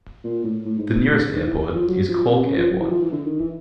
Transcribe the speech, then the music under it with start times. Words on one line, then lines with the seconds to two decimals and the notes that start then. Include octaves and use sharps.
The nearest airport is Cork Airport.
0.24 A#2
0.44 A2
0.65 A2
0.78 G#2
0.92 G#2
1.05 A2
1.19 D3
1.34 D#3
1.47 E3
1.74 F3
1.89 F#3
2.09 F3
2.29 C3
2.43 C#3
2.57 F3
2.70 F#3
2.81 E3
2.91 F3
3.02 E3
3.12 D3
3.25 D#3
3.39 E3